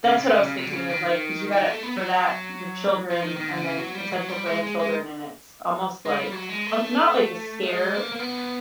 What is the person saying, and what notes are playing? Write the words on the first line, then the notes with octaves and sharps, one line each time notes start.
That's what I was thinking of, like, 'cause you gotta for that, your children and then potential grandchildren, and it's almost like, um not like the scare,
C#3
C3
C#3
C#3
C3
D3
C#3
D#3
D#3
E3
D#3
A3
B3
F#3
F3
D#3
D#3
D3
C#3
F#3
G3
F#3
G3
G#3
G#3
G#3
G#3
G3
F#3
G#3
A3
A3
G#3
A#3
A#3
B3